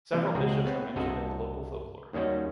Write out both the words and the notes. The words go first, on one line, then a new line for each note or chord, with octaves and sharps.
Several bishops are mentioned in the local folklore.
C3 E3 F3 G3 A#3
C#2 B2 C4 F#4 G#4
B3 C4 C#5
C2 G2 C3 F#4 A4 D#5
D#2 D#3 G3 C#4 F#4